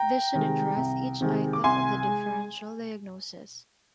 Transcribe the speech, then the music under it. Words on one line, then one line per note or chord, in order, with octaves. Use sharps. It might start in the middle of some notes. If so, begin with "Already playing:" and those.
This should address each item of the differential diagnosis.
Already playing: G5 A#5
C3 D#3 G#3
C2
C3 D#3 G#3
D6
C2 G#5 C6
G#3